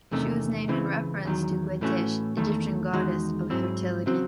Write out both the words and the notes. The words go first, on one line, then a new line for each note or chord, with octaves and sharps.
She has been named in reference to Qetesh, Egyptian goddess of fertility.
E2 C3 D#3 A3 C#4
C#2 C#3 E3 C4
E2 D#3 F#3
A2 E3 A3 C#4 F#4
E2 D#3 A3
E2 D#3 G#3 D#4 F#4
G#2 F#3 C4 E4
C#3 F#3 C4 F#4